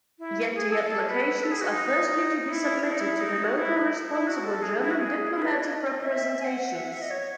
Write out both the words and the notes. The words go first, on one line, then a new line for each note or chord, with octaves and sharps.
Yet the applications are firstly to be submitted to the local responsible German diplomatic representations.
E4
G#4
A4
C#5
B4
A4
G#4
F#4
D#4
D#4
E4
E4
D#4
E4
D#4
F#4
E4
E4
F#4
A4
G#4
E4
F#4
G#4
E4
B4
C#5
D#5
E5
G#5
F#5
E5
F#5
E5
D#5
C#5